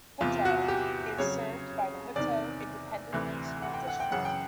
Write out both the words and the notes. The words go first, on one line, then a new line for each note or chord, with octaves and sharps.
Hutto is served by the Hutto Independent School District.
E2 C3 E3 F4
F#4
G4
F2 C#3 F#3 C#5
E2 C3 D#3 D5
D2 C3 E3
F#5
G5
F#5
G5
F#2 C#3 E3 F#5
G5